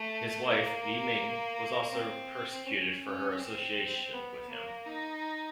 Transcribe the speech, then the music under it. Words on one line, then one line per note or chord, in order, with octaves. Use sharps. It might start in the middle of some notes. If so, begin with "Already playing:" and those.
His wife, Li Ming, was also persecuted for her association with him.
Already playing: A3
A#3
C4
C#4
C#4
C4
B3
A#3
D#4